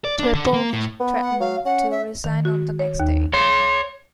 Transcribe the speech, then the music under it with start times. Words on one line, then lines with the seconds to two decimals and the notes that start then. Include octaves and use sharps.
Trepov threatened to resign on the next day.
0.04 D5
0.19 D4
0.35 D3
0.53 A#3
0.73 A2
1.00 B3
1.23 F#5
1.40 F#3 F5
1.65 C#4 F#5
1.91 E5
2.24 D#3
2.45 F#4
2.79 C#5
3.00 D#2
3.33 C#5 C6